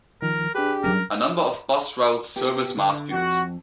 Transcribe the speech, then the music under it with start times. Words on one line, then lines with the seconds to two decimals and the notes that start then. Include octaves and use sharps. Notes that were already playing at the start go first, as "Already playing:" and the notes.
A number of bus routes service Marsfield.
0.22 D#3 F3 A#4
0.55 D4 G4 G#4 B4
0.84 F#3 G3 C#4 A#4
2.36 B3 G4
2.77 D3
3.12 F2 F#4